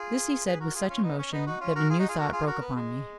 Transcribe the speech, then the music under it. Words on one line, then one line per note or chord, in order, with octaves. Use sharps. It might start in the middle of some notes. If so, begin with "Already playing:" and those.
This he said with such emotion, that a new thought broke upon me.
Already playing: F4 G#4
G#4 B4
F#4 A#4
F4 G#4
C#4 F4
B3 D#4
C#4
B3 D#4
D#4 F#4
C#4 F4
F#4 A#4
F4 G#4
D#4 F#4
F4 G#4
F#4 A#4
F4 G#4
F#4 A#4
B3
G#3